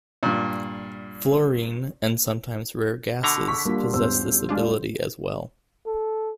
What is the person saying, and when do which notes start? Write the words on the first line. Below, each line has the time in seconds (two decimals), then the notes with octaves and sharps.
Fluorine and sometimes rare gases possess this ability as well.
0.23 G2 A#2
3.23 B2 D3 A#5
3.48 C#6 E6 B6
3.65 G3 A#3 D4 F4
3.94 E2 G#2 C#4 C5 E6
4.49 G#3 D4 F4
5.86 A4